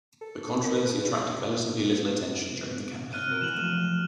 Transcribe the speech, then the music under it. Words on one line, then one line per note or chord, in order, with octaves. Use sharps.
The controversy attracted relatively little attention during the campaign.
A4
A2
D#3
D#3
E2
F6 F#6 D#7
C4 F#4 A#4
E3 E7 F#7
F3 F#3 A3 F6